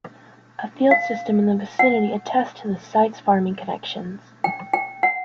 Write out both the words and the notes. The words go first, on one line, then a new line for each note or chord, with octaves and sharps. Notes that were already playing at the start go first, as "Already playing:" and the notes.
A field system in the vicinity attests to the site's farming connections.
F5
F#5
G5
G5
F#5